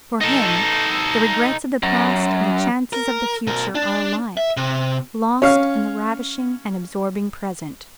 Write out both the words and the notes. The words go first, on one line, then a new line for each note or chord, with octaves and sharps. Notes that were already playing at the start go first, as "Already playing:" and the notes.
For him, the regrets of the past and the chances of the future are alike lost in the ravishing and absorbing present.
D#4 A4
F#2
A#4
B2 A#4
D4
E5
C3
C#4 C#5 F5